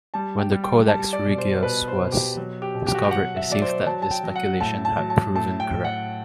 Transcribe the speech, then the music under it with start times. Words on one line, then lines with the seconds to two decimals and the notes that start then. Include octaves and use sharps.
When the Codex Regius was discovered, it seemed that this speculation had proven correct.
0.14 G3 A5
0.38 G5
0.51 G3
0.64 G5
0.88 G3 A5
1.13 D5
1.26 B2
1.38 C5
1.63 B2 B4
1.88 C5
2.00 B2
2.12 G4
2.37 F#3
2.62 G4
2.74 B2
2.87 G4
2.94 F#4
3.03 G4
3.11 F#3 F#5
3.36 E5
3.50 F#3 D5
3.62 C5
3.86 F#3 A5
4.02 A5
4.11 G5
4.24 F#3
4.36 F#5
4.60 A2 A5
4.85 A5
4.98 F#3
5.10 A5
5.35 A2 A5
5.60 G5
5.73 A2
5.85 F#5